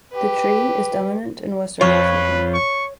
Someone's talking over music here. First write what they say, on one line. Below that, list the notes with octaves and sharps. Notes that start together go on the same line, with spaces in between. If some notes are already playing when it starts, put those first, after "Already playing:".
The tree is dominant in western Washington.
G4 B4
F2 F3 F4 B4 C#5
C#6